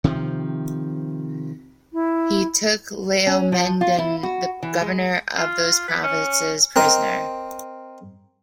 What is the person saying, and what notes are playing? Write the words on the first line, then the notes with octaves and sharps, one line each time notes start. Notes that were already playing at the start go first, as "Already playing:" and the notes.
He took Laomedon, the governor of those provinces, prisoner.
C3 D#3 F3
E4
C#4
F3
F4
E4
F#4
E3
G#3
F4
B4
C#4
C4 A#4 D#5